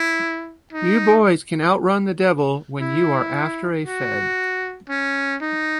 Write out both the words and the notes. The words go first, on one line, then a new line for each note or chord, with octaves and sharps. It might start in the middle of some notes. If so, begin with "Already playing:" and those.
You boys can out-run the devil when you are after a Fed.
Already playing: E4
D#4
E4
F#4
C#4
D#4